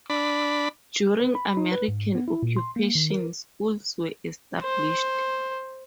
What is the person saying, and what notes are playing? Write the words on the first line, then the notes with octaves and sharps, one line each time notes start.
During American occupation schools were established.
D4 B5
B4
B5
D#4
B4
G#2
B3
E4
A#2
C6
A#3
D#3
A#4
C5